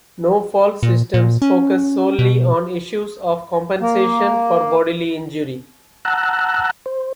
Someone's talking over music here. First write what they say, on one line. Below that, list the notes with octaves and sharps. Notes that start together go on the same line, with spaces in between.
No-fault systems focus solely on issues of compensation for bodily injury.
A#2
A#2
C#4
B2
A#3
F#5 A5 A#5 E6 F#6
C5